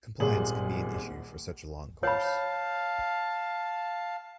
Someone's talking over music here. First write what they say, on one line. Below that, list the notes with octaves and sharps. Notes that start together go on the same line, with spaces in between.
Compliance can be an issue for such a long course.
D#1 G#1 A#2 G3 G#4 F#7
C#5 F5 A5 B5